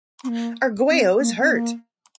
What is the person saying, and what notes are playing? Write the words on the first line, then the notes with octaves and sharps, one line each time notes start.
Arguello is hurt!!
C4
A#3
C4
A#3
C4
A#3